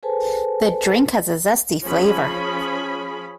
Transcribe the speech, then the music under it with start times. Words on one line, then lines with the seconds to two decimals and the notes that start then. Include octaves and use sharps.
The drink has a zesty flavour.
0.03 G#4 A4 B4 C5 G#5 A5
1.82 F3 C#4 G#4 B5